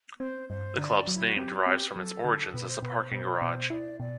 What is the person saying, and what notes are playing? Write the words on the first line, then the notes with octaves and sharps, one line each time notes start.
The club's name derives from its origins as a parking garage.
C4 C5
G2 C5
D3 D5
F#3
E4
F#4
C4 G4
F#4
C4 G4
B4
F#3 A4
D3
B2 B4
C5
B2 B4
C5
B2 C5
D5
B2 C5
E4 D5
B2 D5